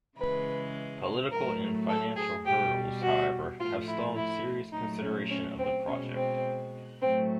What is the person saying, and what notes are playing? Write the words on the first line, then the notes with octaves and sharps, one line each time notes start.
Political and financial hurdles, however, have stalled serious consideration of the project.
C#3 E3 G#3 B4
A2 F#3 A3 A#4
A4
G#4
B2 G3 G4
F#4
A2 F3 A3 F4
E4
E4
A#2 F#3 A3 D#4
C#4
C#4
C4
B2 G#3 C#4
C4
A2 F#3 A3 C4